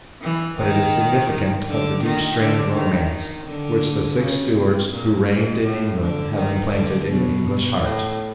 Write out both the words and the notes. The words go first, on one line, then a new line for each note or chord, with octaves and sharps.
But it is significant of the deep strain of romance which the six Stuarts who reigned in England have implanted in the English heart.
E3
D#3
D#3
D3
D#3
D3
D#3
D3
C#3
C3
A#2
G#2
A2
D3
D#3
D3
B2
A2